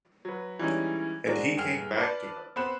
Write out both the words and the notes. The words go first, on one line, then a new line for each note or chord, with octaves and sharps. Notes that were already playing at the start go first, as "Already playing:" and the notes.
And he came back to her.
F#3 B4
E3 G3 G#3 C#4 D#4
G#3 C4 D4 F#4 A#4
G1 G#4 G5 F6
B4 D5 A5
B3 C4 C5 B5 F#6 E7